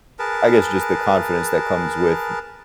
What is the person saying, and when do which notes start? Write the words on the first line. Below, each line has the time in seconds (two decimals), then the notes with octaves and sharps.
I guess, just the confidence that comes with
0.19 G#4 A#4 B4 A5